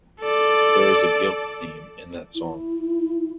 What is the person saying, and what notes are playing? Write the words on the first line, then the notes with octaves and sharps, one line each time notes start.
There is a guilt theme in that song.
A4 D5
E4